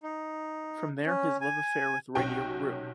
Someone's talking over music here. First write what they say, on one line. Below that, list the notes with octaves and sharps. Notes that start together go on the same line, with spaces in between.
From there his love affair with radio grew.
D#4
C#4
G#5
B1 C3 C#4 F#4 G5 C#6